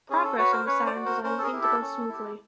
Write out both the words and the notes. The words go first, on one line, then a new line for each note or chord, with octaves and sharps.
Progress on the Saturn design seemed to go smoothly.
C#4 G#4
A4
F#4 B4 C#5
A#4 C5
C#4 B4 C#5
C5 D5
F#4
A#4 C5
C#4 A#4 C5
A4
G#4 A#4
E4 G4
A4
C#4
E4 G4